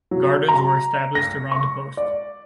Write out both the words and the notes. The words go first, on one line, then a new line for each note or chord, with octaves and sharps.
Gardens were established around the post.
F#3
A#5
A#6
C#6
D5